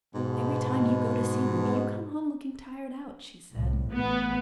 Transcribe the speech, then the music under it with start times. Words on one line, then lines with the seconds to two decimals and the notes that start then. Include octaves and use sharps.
"Every time you go to see Ruby you come home looking tired out," she said.
0.15 G#2 B2
3.55 C2 A2
3.94 A1 B3